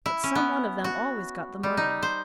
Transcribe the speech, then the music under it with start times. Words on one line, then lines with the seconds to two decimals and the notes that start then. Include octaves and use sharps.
But some one of them always got the money.
0.06 E4
0.24 C#4
0.35 B3
0.84 F#4
1.63 G3
1.77 D#4
2.03 C5